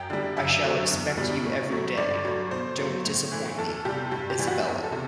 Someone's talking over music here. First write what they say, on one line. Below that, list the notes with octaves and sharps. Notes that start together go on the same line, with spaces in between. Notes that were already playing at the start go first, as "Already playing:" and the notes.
I shall expect you every day — don’t disappoint me! — Isabella.
Already playing: F#2 G5
D3 G3
F#2 E5
D3 F#3 A3
E2
B2 G3
A2
F#3 A3
G2 D5
F#3 A3
B2 C5
F#3 A3
A2
E3 A3
E2 A4
C3 G3 G4
G2 G4
G4
E3 G3
F#4
E2
A4
C3